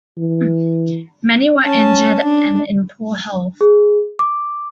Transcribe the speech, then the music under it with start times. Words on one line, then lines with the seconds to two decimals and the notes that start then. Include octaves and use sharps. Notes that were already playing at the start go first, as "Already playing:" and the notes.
Many were injured and in poor health.
0.18 E3
1.63 C#4 A5
2.23 D4
3.61 G#4
4.19 D6